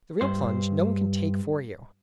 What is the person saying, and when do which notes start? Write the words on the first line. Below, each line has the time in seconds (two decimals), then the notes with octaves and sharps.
The real plunge no one can take for you.
0.21 G2 C5